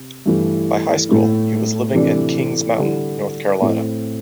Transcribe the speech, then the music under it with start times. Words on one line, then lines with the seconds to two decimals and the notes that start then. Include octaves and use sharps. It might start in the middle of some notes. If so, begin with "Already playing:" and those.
By high school, he was living in Kings Mountain, North Carolina.
Already playing: C3
0.26 G2 E3 A3
1.09 A2 A3 E4
1.94 C3 E3 A3 D4
2.79 D3 G3 E4
3.62 A2 A3 C4 E4